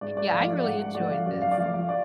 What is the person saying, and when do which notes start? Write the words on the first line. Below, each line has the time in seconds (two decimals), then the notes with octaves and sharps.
yeah, I really enjoyed this.
0.01 G#2 D5
0.17 D5
0.32 F3 A3 F5
0.48 D5
0.64 G#2 F#5
0.79 F#5
0.95 F3 A3 D5
1.11 F5
1.26 F#2 D5
1.42 F5
1.51 D5
1.57 F3 A3 F5
1.74 F5
1.89 D5